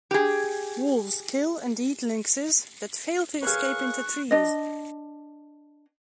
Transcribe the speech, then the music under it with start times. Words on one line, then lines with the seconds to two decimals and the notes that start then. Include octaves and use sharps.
Wolves kill and eat lynxes that fail to escape into trees.
0.11 G4 G#4
3.43 G#4 A#4 B4 C#5 F5 C#6 F#6
4.31 D4 D#5